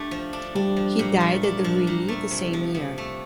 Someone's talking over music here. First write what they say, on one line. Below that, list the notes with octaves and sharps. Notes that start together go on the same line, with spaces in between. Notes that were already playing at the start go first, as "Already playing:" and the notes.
He died at Reuilly the same year.
Already playing: A3 D4 G4
F3
D4
G3 D4
F3
A#2
A3
D4
F3
A#2
A3
C3
F3
C3
A3